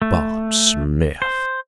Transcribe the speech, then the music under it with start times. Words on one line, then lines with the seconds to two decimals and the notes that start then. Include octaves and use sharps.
Bob Smith!
0.02 A3
1.22 C5